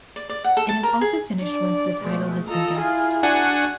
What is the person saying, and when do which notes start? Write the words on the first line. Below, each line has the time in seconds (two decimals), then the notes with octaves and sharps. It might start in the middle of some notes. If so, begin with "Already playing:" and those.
It is also finished once the title has been guessed.
0.16 D5
0.29 D5
0.44 F#5
0.57 A4
0.69 A5
0.83 A#4
1.01 G#4
1.42 D4 D5
2.01 B2 G#3 A3
2.48 F4 A4 D#5 A#5
2.80 E4 F4 G#4
3.23 D4 F#4 F#5 G#5